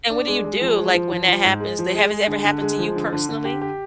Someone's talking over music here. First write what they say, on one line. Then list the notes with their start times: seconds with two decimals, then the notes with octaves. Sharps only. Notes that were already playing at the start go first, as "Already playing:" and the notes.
And what do you do, like, when that happens they has it ever happened to you personally?
0.10 D4
0.28 G#3
0.44 G#3
0.61 F3
0.77 G#3
0.94 F3
1.11 F3
1.27 F3
1.44 G#2
1.60 G#3
1.78 F3
1.94 G#3
2.11 G#3
2.27 D3
2.44 D3
2.62 G#3
2.79 F3
2.96 D3
3.12 D3
3.29 D3
3.45 G4
3.61 G4